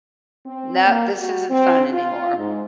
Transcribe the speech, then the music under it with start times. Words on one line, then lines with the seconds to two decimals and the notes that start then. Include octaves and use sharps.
"No, this isn't fun anymore."
0.46 C4
0.86 A#3
1.17 F#4
1.49 C4
1.92 F4
2.36 G#2